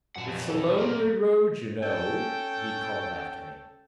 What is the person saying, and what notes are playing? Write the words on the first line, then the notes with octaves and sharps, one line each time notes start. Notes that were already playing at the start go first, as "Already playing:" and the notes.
"It's a lonely road, you know," he called after me. . . .
F#2 A#2 F#5 A5
B1 F2
A4
B2 C4 A#4 D5
C#4 A4 G5